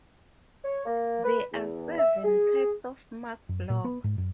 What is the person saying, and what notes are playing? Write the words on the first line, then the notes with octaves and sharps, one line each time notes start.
There are seven types of Mark blocks.
C#5
A#3
B4
E2
E5
G#4
F#2
A#2
B3
G#2
F#2